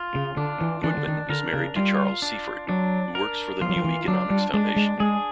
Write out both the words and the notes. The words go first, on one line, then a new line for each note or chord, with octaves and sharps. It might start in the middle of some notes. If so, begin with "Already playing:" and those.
Goodman is married to Charles Seaford who works for the New Economics Foundation.
Already playing: F4
C#3
D3 D4
E3
E3 D4
D3
D#3
D3 A#4
C#3
G3 F4
D4
F#3 D4
A#4
F3 F4
F#3
F3
E3
F#3 D4
G3
G#3 D4
G#3
G#3 G#4